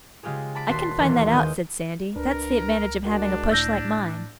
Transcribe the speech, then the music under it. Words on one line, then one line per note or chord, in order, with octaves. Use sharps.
'I can find that out,' said Sandy. 'That's the advantage of having a push like mine.
C#3 G#3 F4 G4 G#4
A5 B5 D6 B6 D7
D#1 F#4 C6 B6 C7
E1 D#2 E3 B3 C6
D#3 G#3 D#6 G6
C#2 D4 A#4 B4
G#3 D4 F#4 A#4
A2 E6 G6 A#6